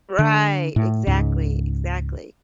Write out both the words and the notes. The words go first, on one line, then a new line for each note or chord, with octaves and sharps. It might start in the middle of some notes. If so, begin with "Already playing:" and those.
Right. Exactly, exactly.
D3
A2
C#2 G#2